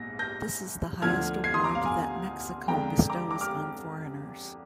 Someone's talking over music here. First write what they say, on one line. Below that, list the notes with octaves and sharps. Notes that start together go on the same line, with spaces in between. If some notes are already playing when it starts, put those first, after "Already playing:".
This is the highest award that Mexico bestows on foreigners.
Already playing: A#1 G#2 A#6
G6 A#6
D2 D3 F3 F6 G#6
G#6 C7
C6 D#6
A#5 D6
F5
F5 G#5
F2 D3 G#3 G5 A#5
A#5 D6
A#5 D6
D6 F6